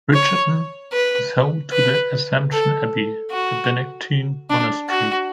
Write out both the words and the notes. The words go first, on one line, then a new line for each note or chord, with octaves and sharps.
Richardton is home to the Assumption Abbey, a Benedictine Monastery.
C#5
B4
B4
A4
F#4
D4
F#4